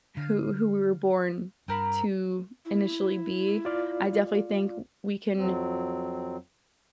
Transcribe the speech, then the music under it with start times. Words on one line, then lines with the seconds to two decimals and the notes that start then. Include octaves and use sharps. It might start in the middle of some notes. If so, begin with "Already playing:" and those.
who who we were born to initially be, I definitely think w we can
0.17 D3 F5
1.68 G2 C4 A#4 B5
2.65 E4
3.65 F4 D5 F5
5.36 F2 F#3 C4